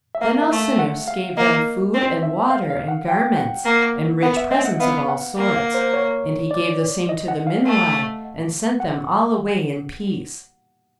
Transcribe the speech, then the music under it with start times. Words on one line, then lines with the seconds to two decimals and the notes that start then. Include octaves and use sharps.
Then Alcinous gave them food, and water, and garments, and rich presents of all sorts; and he gave the same to the Minuai, and sent them all away in peace.
0.15 E5
0.22 A#3 F5
0.42 E5
0.51 A3
0.79 F#5
1.08 F5
1.37 A#3 D#5
1.94 C4
2.23 E5
2.50 F5
2.70 F5
2.88 F#5
3.08 G5
3.37 F#5
3.65 A#3
4.23 B3 F#5
4.37 E5
4.51 C4 D#5
4.65 F#5
4.80 B3 F5
5.09 F#5
5.37 A#3
5.56 F5
5.74 C5
5.94 C#5
6.51 D5
7.09 D#5
7.28 F#5
7.47 F5
7.65 A3
8.80 F#5